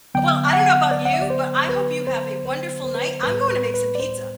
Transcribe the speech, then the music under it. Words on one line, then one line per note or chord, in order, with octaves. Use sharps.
well, I don't know about you, but I hope you have a wonderful night. I'm going to make some pizza.
D3 F#3 B3 G5
F#5
D5
F#5
E5
D5
C5
B4
C5
C5
C5
B4
C5
A2 G3 B3 B4
B4
B4
D5
C5